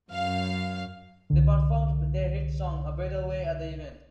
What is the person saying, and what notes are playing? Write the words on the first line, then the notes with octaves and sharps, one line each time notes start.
They performed their hit song, "A Better Way" at the event.
F#2 F5
C2 D3